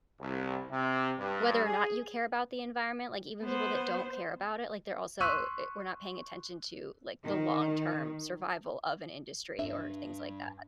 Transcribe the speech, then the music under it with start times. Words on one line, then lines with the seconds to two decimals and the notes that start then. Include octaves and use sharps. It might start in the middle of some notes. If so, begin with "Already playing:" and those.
whether or not you care about the environment. Like, even people that don't care about it, like, they're also eh, we're not paying attention to, like, the long-term survival of an industry or things like that.
0.20 C2
0.70 C3
1.18 G2
1.66 G#4
3.43 B3 C5
5.20 C6 C#6 E6 F#6 B6 D#7
7.25 D#3
9.59 G2 D4 E5